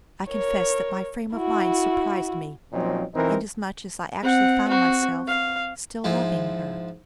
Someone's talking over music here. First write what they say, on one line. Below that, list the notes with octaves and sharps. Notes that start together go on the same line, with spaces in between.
I confess that my frame of mind surprised me, inasmuch as I actually found myself still loving her.
A#4 C#5
E4 F#4
A#2 F3 F#3 C4 C#4 D#4
B1 E3 C4 D#4 A#4
C4 F#5
C4 F#4
F5
G#2 F3 E4